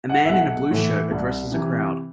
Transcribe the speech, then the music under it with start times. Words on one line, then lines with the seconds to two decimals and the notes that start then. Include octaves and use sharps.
A man in a blue shirt addresses a crowd.
0.09 F#5
0.25 E5
0.29 B1 F#5
0.71 A2 E3
1.11 C2
1.52 C3 E3